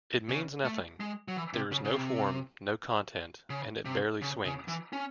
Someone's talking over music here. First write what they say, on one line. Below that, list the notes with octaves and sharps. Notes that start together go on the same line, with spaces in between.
It means nothing; there is no form, no content, and it barely swings.
C#3
A3
G#3
F#3
E3
C3
C#3
C#3
C3
C#3
C3
C#3
C#3
E3
C#4